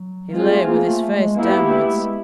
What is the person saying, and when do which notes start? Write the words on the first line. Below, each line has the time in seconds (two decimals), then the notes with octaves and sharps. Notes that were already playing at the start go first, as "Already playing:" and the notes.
He lay with his face downwards.
Already playing: F#3
0.33 G#3 C4 F4 G#4
0.51 A3
0.68 A#3
0.85 A3
1.11 G#3
1.37 A#3 B3 E4 G4
1.63 A3
1.89 G#3